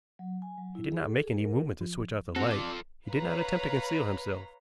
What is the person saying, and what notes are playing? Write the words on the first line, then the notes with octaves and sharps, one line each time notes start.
He did not make any movement to switch off the light, he did not attempt to conceal himself.
F#3
G#5
F#3
E4
G#4
A4
G#4
A#4
F3
F3 C4 F#4 A4
D5
B4 C#5 F5 A#5 B5